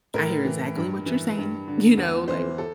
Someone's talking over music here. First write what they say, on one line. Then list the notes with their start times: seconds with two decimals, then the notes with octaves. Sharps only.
I hear exactly what you're saying," you know, like,
0.14 A2 A#4
0.45 E3
0.76 G2
1.06 E3
1.37 G2
1.68 D3
1.97 E2
2.28 E3 C5
2.58 A4